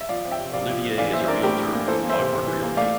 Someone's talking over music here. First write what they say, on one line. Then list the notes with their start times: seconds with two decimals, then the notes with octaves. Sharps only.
Olivier is a Realtor with Cogburn Realty.
0.01 E5
0.09 F3 D5 F5
0.25 C4
0.31 E5 G5
0.39 C3
0.53 C3 D5 F5
0.69 F3
0.84 C4
0.98 E3 D5 F5
1.13 A#3 C5 E5
1.24 E5
1.28 D4 A#4 D5
1.43 A2 G4 A#4
1.58 E3
1.73 A#3
1.88 E3 A4 C5
2.03 A#3
2.10 C5 E5
2.18 C3
2.33 C3
2.47 E3
2.63 A#3
2.77 A3 D5 F5